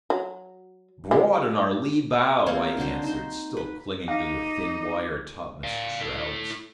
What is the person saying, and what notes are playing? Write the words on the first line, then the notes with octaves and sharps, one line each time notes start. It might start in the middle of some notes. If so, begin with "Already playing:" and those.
"Broad on our lee-bow," I answered, still clinging to the thin wire topmast shrouds.
F#3
G3 G#3 G4
A#3 C4 F4 C#5
D3 D4 F#4 C5
D#4 C5
B4
D#4 D#5 F5 D6
D5 F5
E4 A4